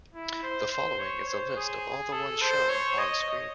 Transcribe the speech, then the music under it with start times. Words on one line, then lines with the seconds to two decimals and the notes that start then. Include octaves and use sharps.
The following is a list of all the ones shown on-screen.
0.14 E4
0.43 C5
0.72 C5
0.99 C#5
1.28 C5
1.56 G#4
2.12 A4
2.41 C5
2.69 C#5
2.98 D#5